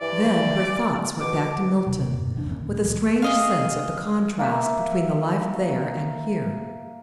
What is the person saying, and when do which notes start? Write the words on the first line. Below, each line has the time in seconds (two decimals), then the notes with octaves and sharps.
Then her thoughts went back to Milton, with a strange sense of the contrast between the life there, and here.
0.01 G2 E3 D5
1.21 B2 D6
1.86 D#1 C3
2.17 F#2 B2
2.36 F#1 E2 C#3 D4
2.49 F1 D#2 A#2 C#4
2.69 A#2
2.84 C#2 E3 F#3 G3
3.22 G#4 D#5 F5
4.39 A#3 E5